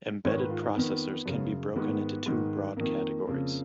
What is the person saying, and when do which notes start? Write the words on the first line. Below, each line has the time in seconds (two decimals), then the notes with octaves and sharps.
Embedded processors can be broken into two broad categories.
0.25 G#2 D#3 C#5
0.38 B4
0.50 F4
0.62 D#4
0.75 F2 D#3 B3
1.26 F#2 C#3
1.76 G#2 D#3 B3
2.26 G#2 D#3
2.76 F2 D#3 A#3
3.27 F2 C#3